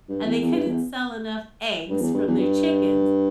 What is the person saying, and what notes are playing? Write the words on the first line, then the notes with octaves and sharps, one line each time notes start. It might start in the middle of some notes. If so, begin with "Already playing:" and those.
and they couldn't sell enough eggs from their chickens,
G2
E2
E2
G2
E2
G2
E2
G2
E2
G2